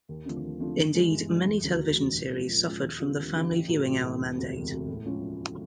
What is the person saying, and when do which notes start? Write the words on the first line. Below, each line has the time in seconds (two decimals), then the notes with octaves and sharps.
Indeed, many television series suffered from the Family Viewing Hour mandate.
0.09 D#2
0.25 D3 F3 A3 C4
0.43 D#2
0.60 D3 F3 A3 C4
0.77 G1
0.94 G2 E3 G#3
1.11 G1
1.29 G2 E3 G#3
1.46 E1
1.63 D2 D3 F#3
1.80 E1
1.97 D2 D3 F#3
2.14 A#2
2.31 F3 G#3 C#4
2.49 A#2
2.66 F3 G#3 C#4
2.82 D#2
3.00 D3 G3 C4 F4
3.17 D#2
3.34 D3 G3 C4 F4
3.52 A1
3.68 A2 F#3
3.86 A1
4.03 A2 F#3
4.20 E1
4.37 D2 C3
4.54 E1
4.72 D2 C3
4.88 A2
5.05 F3 G#3 C#4 F4